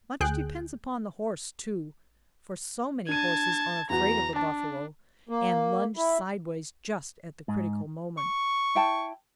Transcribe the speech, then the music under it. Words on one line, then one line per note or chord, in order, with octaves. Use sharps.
Much depends upon the horse, too, for so many horses are afraid of a buffalo, and lunge sideways just at the critical moment.
D2 G#4 G5 F#6
D4 A5 G#6 D#7
E2 F#4 A#5
D4 A5
A#3
E4
G#2
C#6
E4 G5 A5